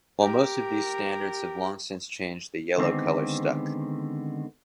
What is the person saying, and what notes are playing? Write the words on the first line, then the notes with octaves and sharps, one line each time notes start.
While most of those standards have long since changed, the yellow color stuck.
G4 A#4
D3 D#3 G#3 B3 C4